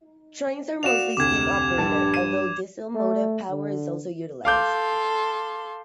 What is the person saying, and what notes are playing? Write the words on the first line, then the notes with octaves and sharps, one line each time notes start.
Trains are mostly steam-operated, although diesel motive power is also utilised.
F#4 D5 F5 E7 F7
F1 D2 C3 D6 G#6
A#1 G2 G3 A5
D#7
A3
D3
A4 F5 C6 D6 G6